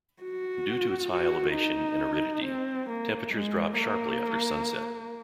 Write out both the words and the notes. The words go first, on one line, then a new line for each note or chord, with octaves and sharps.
Due to its high elevation and aridity, temperatures drop sharply after sunset.
F#4
F#4
D#4
C4
A#3
G#3
A#3